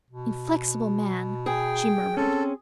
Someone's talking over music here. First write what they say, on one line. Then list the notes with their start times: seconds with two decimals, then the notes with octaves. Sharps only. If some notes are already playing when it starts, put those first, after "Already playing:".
"Inflexible man!" she murmured.
0.10 B2
1.46 G#4 G5
2.17 C4 C#4 A4